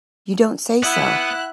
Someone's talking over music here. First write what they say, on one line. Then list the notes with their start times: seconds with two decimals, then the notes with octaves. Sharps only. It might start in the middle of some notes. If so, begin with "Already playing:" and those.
You don't say so!
0.83 B3 E4 F#5 F#6